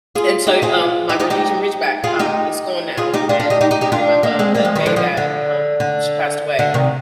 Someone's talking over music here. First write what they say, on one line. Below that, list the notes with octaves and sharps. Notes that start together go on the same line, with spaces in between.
and so um, my Rhodesian Ridgeback, um, is gone now, and I remember the day that, um, she passed away.
F4 G#4
D#4 G4
F4 G#4
D#4 G4
D#4 G4
D#4 G4
F4 G#4
D#4 G4
F4 G#4
D#4 G4
D4 F4
D4 F4
D#4 G4
D#4 G4
D#4 G4
D#4 G4
D4 F4
A#3 D4
G#3 C4
G3 A#3
F3 G#3
D#3 G3
D3 F3
D3 F3
D3
D3
D3
C3 D#3